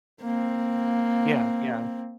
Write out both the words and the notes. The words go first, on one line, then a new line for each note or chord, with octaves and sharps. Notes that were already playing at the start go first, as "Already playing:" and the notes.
Yeah, yeah.
A#3 C4